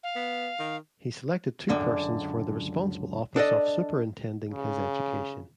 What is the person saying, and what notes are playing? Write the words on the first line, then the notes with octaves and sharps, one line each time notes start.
He selected two persons for the responsible office of superintending his education.
F5
B3
D#3
C#2 F#2 D3 D4
D4 A4 D5 D#5
C#3